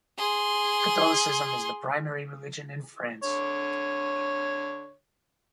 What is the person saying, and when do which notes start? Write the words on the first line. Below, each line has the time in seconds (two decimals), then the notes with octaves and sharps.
Catholicism is the primary religion in France.
0.18 G#4 C6
3.23 D3 C#5